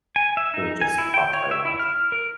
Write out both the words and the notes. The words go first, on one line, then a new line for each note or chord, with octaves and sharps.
So it just pops right off.
G#5
E5
D#4
G#5
E4
G5
C#5
E5
E4
F6
A#4